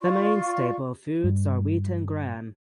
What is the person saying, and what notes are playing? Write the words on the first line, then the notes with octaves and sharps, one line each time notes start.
The main staple foods are wheat and gram.
F4 D5 C6 C#6
G2